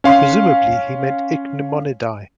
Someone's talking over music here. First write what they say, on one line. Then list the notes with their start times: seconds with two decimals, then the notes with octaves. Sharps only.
Presumably he meant Ichneumonidae.
0.04 C#4 F5 C6